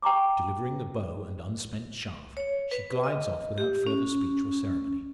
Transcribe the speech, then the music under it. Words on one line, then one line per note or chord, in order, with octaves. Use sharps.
Delivering the bow and unspent shaft, she glides off without further speech or ceremony.
G5 A#5 C#6 D6
C#5
B4
D#5
G4
C#4